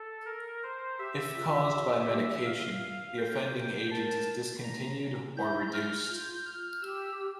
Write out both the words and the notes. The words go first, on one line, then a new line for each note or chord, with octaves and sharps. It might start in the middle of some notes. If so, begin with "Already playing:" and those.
If caused by medication, the offending agent is discontinued or reduced.
Already playing: A4
A#4
C5
G4 E5
F4
G4
F5
A4 G5
G4
A#4 A5
A#5
E4 G6
F6
F4 G6
F6
G4 E6